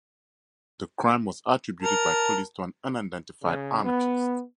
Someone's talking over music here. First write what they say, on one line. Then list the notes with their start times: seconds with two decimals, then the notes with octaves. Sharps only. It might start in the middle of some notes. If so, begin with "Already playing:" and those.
The crime was attributed by police to an unidentified anarchist.
1.82 A#4 A5
3.41 C#3
3.83 B3